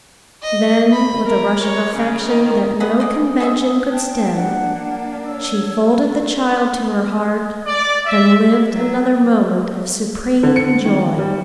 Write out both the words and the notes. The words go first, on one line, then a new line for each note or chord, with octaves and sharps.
Then with a rush of affection that no convention could stem, she folded the child to her heart and lived another moment of supreme joy.
D#5
B5
A#4
C#5
C#3
D#3
G#4 B4 D#5 F#5
G#4 D5 D#5
G#4 C5 D#5 E5
G5 A5
A#3 D4 F#5
C#5 E6
D5
E5
F#3
D3
C#7
D#3
G3